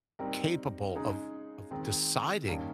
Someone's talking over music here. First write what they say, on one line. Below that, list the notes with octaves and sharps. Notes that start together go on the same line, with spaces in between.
capable of, of deciding
G3 C4 D#4 A#4
C#3 G#3 D#4 G#4
D#3 G#3 C4
G2 D#3 A#3 C#4